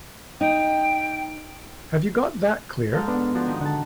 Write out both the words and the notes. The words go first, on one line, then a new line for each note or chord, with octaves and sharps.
Have you got that clear?
D#4 G5
G#2 A4 F5
B3 D4
F3 D4 F#4
D#3
D3 F#5 A5